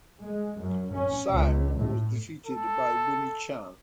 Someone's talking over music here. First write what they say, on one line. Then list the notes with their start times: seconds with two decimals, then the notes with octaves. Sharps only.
Tsang was defeated by Winnie Chan.
0.21 G#3
0.58 F#2
0.91 C#4
1.29 C#2
1.77 A2
2.47 A4